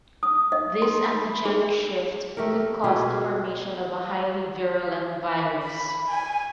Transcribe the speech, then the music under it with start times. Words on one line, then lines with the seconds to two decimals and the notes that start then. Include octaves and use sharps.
This antigenic shift could cause the formation of a highly virulent virus.
0.23 D#6
0.52 D#5
0.82 C6
1.06 B5
1.46 G#4
2.37 A3 G4 A#4
2.84 B2 F4 G4 G#4
5.63 B5
6.09 G#5